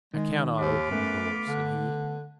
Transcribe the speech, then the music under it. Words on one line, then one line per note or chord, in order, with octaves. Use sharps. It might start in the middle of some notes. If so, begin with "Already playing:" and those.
"I cannot open the door," said he.
D#3 G#3
D#2 F4 B5 D6
F#2 A3 B3
D3